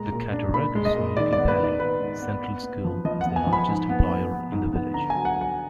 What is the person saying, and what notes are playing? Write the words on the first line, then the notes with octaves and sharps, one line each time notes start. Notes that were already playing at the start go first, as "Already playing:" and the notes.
The Cattaraugus-Little Valley Central School is the largest employer in the village.
Already playing: A#2 G#3 A#5
A#2
D4
A#2 B5
G#3
D#5
A#2
D#3 D5
D5
B3
B4
D#3
D5
G#2 B4
G#2
B3
B3
B3
F3
F3 D#5
F#5
B3
G#5
F3
B5
G#2
B3
B3
B3
G#2
B3
D3 A#5
F#3 G#5
F#5
F#3
F#5